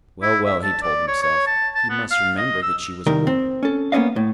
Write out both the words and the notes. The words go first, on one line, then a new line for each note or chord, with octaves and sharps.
Well, well, he told himself, he must remember that she was a woman.
E4
E5
A5
D5
C#5
C#5
A5
A5
B3
F5
D#5
E6
C2 D#3 G3 A#4
C4
C#4 A4
A#3 B3 C#4 D#5 F5
A2